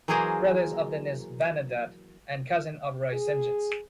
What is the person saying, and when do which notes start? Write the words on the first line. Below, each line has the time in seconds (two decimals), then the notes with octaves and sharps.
Brother of Dennis Vanendert and cousin of Roy Sentjens.
0.08 E3 F#3 A#3 G#4 A#4 C5
3.13 G#4